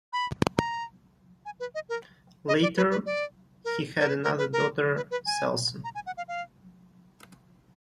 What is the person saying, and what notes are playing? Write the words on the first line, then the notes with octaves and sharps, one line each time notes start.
Later he had another daughter, Selcen.
B5
A#5
G#5
B4
D#5
A#4
D#5
D5
B4
B4
D5
A#4
A#4
B4
A#4
B4
A#4
B4
B4
G#5
A#5
G#5
F#5
F5
F5